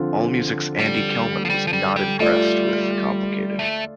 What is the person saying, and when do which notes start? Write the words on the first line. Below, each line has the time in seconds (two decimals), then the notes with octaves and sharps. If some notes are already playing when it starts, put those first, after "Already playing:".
Allmusic's Andy Kellman was not impressed with "Complicated".
Already playing: D3 F3 C4 F4
0.79 G3
1.45 F3
1.50 G3
1.67 F3
1.73 G3
1.96 G3
2.20 G3 A3 F4 D5
3.59 A3